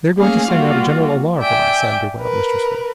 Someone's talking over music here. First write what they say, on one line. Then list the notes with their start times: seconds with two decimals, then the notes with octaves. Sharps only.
"They are going to send out a general alarm for my son," bewailed Mr. Swift.
0.16 A3 A#3 C#4 G#4 F5
0.50 G3 A#3 F4 F#4
1.38 D5 E5 G5 G#5
2.20 A#4 B4